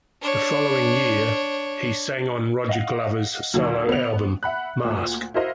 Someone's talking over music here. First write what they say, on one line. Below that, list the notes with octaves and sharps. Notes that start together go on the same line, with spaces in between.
The following year, he sang on Roger Glover's solo album, "Mask".
D4 C#5
D#5 F5 F#5
D#2 D3 D#3 F#3
B3 F7
E5 F#5 B5 F#6
D2 A#2
E4 F#4 A#4 C5 D#5 F5